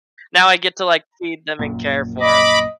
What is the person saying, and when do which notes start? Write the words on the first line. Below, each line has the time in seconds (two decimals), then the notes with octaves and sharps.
now I get to, like, feed them and care for 'em.
1.59 A#1 F#2 A#2
2.21 D#5 B5 D6